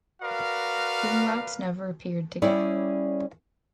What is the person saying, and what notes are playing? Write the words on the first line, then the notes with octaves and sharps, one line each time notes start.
Umlauts never appear together.
F#4 A#4 B4 D5 F5
G3 C#4 E4 G#4 C#5 D5